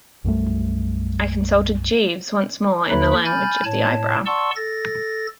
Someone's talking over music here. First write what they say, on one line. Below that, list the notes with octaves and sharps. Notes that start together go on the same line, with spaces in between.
I consulted Jeeves once more in the language of the eyebrow.
B1 F#2 G3 A3
D#2 D3 D#4 B4 E5 B5
G#5 B5 F6 G6 A6
A2 C#5 A5
D5 F#5 A5 C6 C#6 E6
A4 A6 A#6